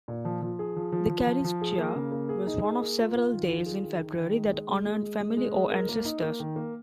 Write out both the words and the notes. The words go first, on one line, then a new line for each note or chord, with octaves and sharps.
The Caristia was one of several days in February that honored family or ancestors.
A#2
F3
F3
G#4
F3
F3
F3
F3
F3
G#4
A#3
C#3
A#3
G#4
D#4
G#4
A#3
F4
F4
D#3
F4
G#4
D#3
D#3
D#3
G#3
G#3
G#3
G#3
G#3
G#3
G#3
G#3
A#4
A#3
D#4
A#3
D#3
A#3